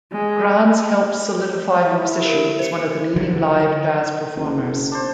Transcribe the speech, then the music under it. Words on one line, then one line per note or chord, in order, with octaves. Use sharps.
Granz helped solidify her position as one of the leading live jazz performers.
G#3
E4
G4 A#4
C5 C#7
D3 F#3
F#1
D4 C5